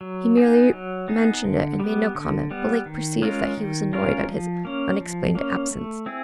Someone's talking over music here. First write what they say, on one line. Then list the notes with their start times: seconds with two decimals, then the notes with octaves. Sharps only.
He merely mentioned it, and made no comment; but Lake perceived that he was annoyed at his unexplained absence.
0.01 F#3
0.37 B3 D#4 G#4
0.73 F#3
1.08 B3 D#4 G#4
1.44 D3
1.80 G3 B3
2.15 D3
2.51 G3 B3
2.86 D#3
3.22 G#3 C#4 F4 A#4
3.57 D#3
3.93 G#3 C#4 F4 A#4
4.29 F3
4.65 A#3 C#4
5.00 F3
5.35 A#3 C#4
5.71 A3
6.06 C4 E4 G#4